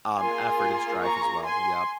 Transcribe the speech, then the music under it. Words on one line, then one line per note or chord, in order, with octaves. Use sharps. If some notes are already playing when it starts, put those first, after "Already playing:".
um, effort and strife as well. Yep.
A#3 F4 G#4 G#5 C6
A#5 C#6
G#5 C6